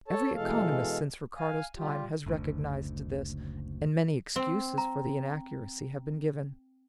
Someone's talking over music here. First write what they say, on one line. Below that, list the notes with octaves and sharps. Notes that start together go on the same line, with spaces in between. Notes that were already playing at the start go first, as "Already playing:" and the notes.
Every economist since Ricardo's time has recognized this, and many excuses for the inaccuracy have been given.
A4 C#5 A5
B2 E3 G#3 A4 F5
F5 G#5
G3 F4 G4
F#1 D2
C4
A#5